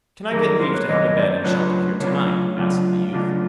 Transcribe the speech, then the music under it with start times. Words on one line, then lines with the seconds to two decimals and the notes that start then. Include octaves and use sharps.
'Can I get leave to have a bed and shelter here to-night?' asked the youth.
0.31 F#2 D#3 G3 A#3 G#4 A#4
0.45 G#4 A#4
0.60 A#4 C5
0.74 B4 C#5
0.87 F#2 D#3 G3 A#3 C#5 D#5
1.02 C#5 D#5
1.16 C5 D5
1.30 C5 D5
1.44 C#3 F#3 A3 D4 F4 B4 C#5
2.00 C#3 F#3 A3 D4 F4 B4 C#5
2.57 C#3 F#3 A3 D4 F4
3.13 C#3 F#3 A3 D4 F4